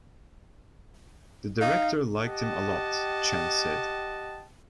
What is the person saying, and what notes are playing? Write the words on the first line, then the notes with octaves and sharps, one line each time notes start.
"The director liked him a lot," Chan said.
D#4 F5
G4 D#5 F#5 G5 A5